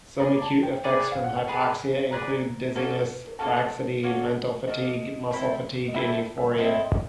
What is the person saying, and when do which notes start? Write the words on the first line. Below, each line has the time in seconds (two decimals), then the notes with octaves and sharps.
Some acute effects from hypoxia include: dizziness, laxity, mental fatigue, muscle fatigue and euphoria.
0.19 G#4 B4 D5 A#5
0.42 A5
0.63 G5
0.84 G#4 B4 D5
1.12 F5
1.24 F#5
1.36 G5
1.48 G#4 B4 D5 G#5
2.11 G#4 B4 D5 A#5
2.75 A#3 C#4 F#4 A4
3.39 A#3 C#4 F#4 A4 A5
4.03 A#3 C#4 F#4 A4
4.67 A#3 C#4 F#4 A4 D#5
5.31 C4 E4 A4
5.88 D#5
5.94 C4 E4 A4 E5
6.38 E5
6.58 C4 E4 A4 D#5
6.80 D#5